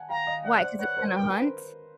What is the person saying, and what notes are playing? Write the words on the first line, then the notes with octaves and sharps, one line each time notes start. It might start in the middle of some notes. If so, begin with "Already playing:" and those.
Why, 'cause it's gonna hunt?
Already playing: F#5 G#5 A5
F5 G5 A#5
D#5 F5
D5 E5 F#5
C5 D5
B4 C#5 F#5
A#4 C5
B4 G5
A#4
B4
A#4 C5